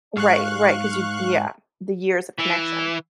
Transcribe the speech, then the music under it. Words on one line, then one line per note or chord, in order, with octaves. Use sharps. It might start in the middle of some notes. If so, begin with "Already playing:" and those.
Right, right, 'cause you yeah, the years of connection.
G#2 F5 C#6 F#6
E3